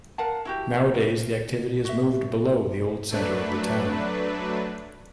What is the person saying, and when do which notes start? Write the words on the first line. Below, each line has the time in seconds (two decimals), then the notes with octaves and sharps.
Nowadays, the activity has moved below the old centre of the town.
0.18 A#4 F5 F#5 A5
0.45 E4 F#4 G4
0.94 A#4
1.85 F#4 E5
3.10 F#3 A3 D4 B4